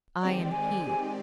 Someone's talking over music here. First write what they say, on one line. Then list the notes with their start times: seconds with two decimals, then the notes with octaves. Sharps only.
"I am he."
0.23 D#3 G#3 C4 G4 D5 G5
0.44 G5
0.51 G#5